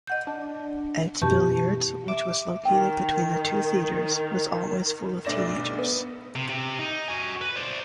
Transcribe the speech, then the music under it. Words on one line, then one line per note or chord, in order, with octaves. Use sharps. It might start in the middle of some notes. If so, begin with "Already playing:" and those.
Ed's Billiards which was located between the two theaters was always full of teenagers.
D#5 F#5 G6
D4
F#2 B2 E3 G4 A5 C#6
E5 D6
D#3 G5
B1 G2 A3 D5 A#6 E7
B3
C3
C3
D#4
F#4 G#5
B4
C5 D5